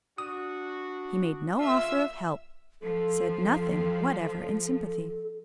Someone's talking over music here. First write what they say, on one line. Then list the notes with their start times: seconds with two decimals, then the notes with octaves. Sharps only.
He made no offer of help, said nothing whatever in sympathy.
0.18 D4 F#4 D#6
1.59 A#2 C#3 F4 E5 E6
2.82 F3 A4